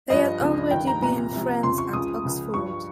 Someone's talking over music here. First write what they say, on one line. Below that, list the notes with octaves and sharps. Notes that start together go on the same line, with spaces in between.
They had already been friends at Oxford.
G2 F3 D#5
C#2 C#3 F3
G2 D#3 G5
A#5
C2 A#2 F3 A#5
C2 C3 F3
F2 C#3 F3 C6
C#6
C#2 C#3 F3 D#6
C#2 C#3 F3
G2 F3 C#6